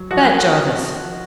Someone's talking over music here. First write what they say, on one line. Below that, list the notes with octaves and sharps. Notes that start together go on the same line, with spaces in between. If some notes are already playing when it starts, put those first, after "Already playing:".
Bat Jarvis.
Already playing: F#3
F3 F#4 F#5
A#3
F3
C4
D#4
F3